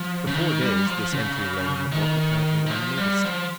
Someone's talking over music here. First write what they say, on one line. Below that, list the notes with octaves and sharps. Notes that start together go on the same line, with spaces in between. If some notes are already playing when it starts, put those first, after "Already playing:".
For four days this entry lay in the book apparently unnoticed.
Already playing: F3
C#3
D#3
G3
F3
C#3
D#3
D#3
F3
G3
F3